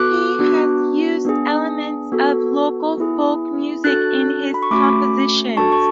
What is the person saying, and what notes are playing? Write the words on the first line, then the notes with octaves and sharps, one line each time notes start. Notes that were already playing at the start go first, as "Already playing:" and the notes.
He has used elements of local folk music in his compositions.
Already playing: B3 F#4 A4 D6 F#6
B3 D4 F#4
B3 D4 G#4
B3 F#4 A4
B3 E4 G#4
D4 F#4 A4 F#6 A6
B5
C#6
A3 C#4 F#4 B5 D6
D4 F#4 A4 A5 C#6
C#6